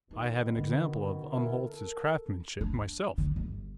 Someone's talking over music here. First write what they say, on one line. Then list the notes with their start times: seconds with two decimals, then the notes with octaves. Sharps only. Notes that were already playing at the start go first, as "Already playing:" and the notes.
I have an example of Umholtz's craftsmanship, myself.
0.11 B2 D#3 C4
0.56 D3 G#3
1.29 B3 E4 A#4
1.62 A4 A#4
2.61 D4
3.18 D3
3.36 G1